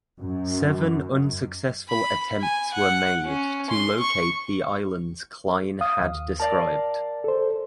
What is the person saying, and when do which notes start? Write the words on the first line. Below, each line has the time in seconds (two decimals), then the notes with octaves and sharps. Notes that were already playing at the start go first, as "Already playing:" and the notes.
Seven unsuccessful attempts were made to locate the islands Klein had described.
0.19 F#2
1.88 B5
2.41 G#5
2.74 F#5
3.25 C#4
3.70 C6
4.00 C#6
5.81 F5 D#6
6.00 D#2
6.40 A#4 D5 F5 A5
7.24 A4 C5